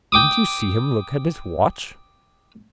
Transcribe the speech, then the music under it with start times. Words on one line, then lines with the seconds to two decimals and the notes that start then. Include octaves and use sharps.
Didn't you see him look at his watch?
0.12 G5 D6 D#6